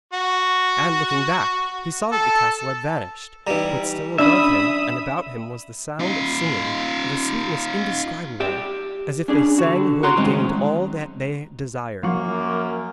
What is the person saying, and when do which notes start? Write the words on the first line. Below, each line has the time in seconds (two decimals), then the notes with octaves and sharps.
And, looking back, he saw that the castle had vanished. But still above him and about him was the sound of singing, of a sweetness indescribable, as if they sang who had gained all that they desired.
0.13 F#4
2.12 A4
3.47 E3 G3 D#4 G4 A#5
4.18 C#4 D4 D5 E5 B5 D#6
6.00 D#4 F4
8.40 G4 D5 E5 G5
9.28 C#4 D4 G#4
9.59 D3 F#4
10.03 F#4 A#5 C6
10.17 A2 D#3 F#3 G#3 C4 C#4
12.03 F#2 F3 F#3 A#3